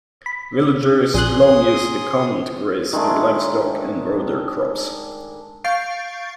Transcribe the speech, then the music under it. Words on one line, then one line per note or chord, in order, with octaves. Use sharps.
Villagers long used the common to graze their livestock and grow their crops.
B5
A#1 G#4 C6 D#6 F#6
D#3 G#3 A3 D4
F5 C#6 G6 A6 C7 D7